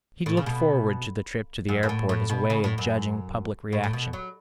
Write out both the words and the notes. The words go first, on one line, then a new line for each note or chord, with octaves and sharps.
He'd looked forward to the trip to the airport as a way of judging public reaction.
A2
C#3
B2
F#2
F#2
A2
A2
B2
C#3
A2
F#2
A2
A2
B2
F#3